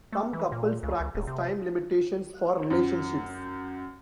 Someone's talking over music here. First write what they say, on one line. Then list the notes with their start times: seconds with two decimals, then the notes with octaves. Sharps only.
Some couples practice time limitations for relationships.
0.12 A3
0.33 E3
0.52 A#2
0.83 C#2
1.00 C#2
1.15 D1
1.27 C3
2.70 F#2